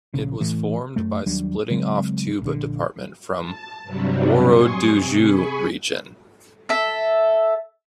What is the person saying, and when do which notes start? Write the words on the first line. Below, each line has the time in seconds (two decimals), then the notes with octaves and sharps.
It was formed by splitting-off Touba Department from Worodougou Region.
0.14 A#1 C#3
0.40 A2 E3 A3
0.96 F#2 A3
1.26 D#2 F#3 G3 D4
1.70 C#3 F#3 G#3 C4
2.41 A#1 D3
3.41 A5
3.83 G2 C3 F#3 G3
4.49 G#5 C6 C#6 D#6
4.91 C3 C4
5.21 G#4 G#5 B5 C#6
6.69 A4 E5